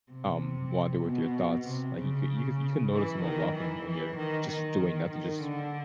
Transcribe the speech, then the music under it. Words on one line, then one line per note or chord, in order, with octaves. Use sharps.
um, wander with your thoughts, like you could you could you can notice them while walking when you're just doing nothing, just
C3
B2
C3
C#3
E3
D#3
E3
E3
D#3
D#3
D#3
D3